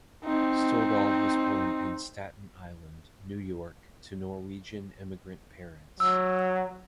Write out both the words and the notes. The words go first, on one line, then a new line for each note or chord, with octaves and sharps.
Stordahl was born in Staten Island, New York to Norwegian immigrant parents.
C4 D#4
F#3 E6